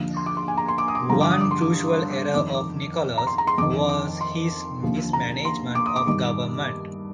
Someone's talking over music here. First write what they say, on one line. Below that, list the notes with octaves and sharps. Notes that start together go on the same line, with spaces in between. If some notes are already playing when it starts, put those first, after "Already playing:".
One crucial error of Nicholas was his mismanagement of government.
Already playing: D#2 D3 F3
C6
D6
C6
G#5
A#5
C6
D6
D#6
D6
G2 D3 F3 A#5
D6
D#6
D6
C6
D6
F2 D#3 D6
D6
A#5
C6
A#5
C6
F2 D#3 D6
D6
C6
D#2 D3 F3
A#5
C6
D6
D#6
D6
G2 D#3 D6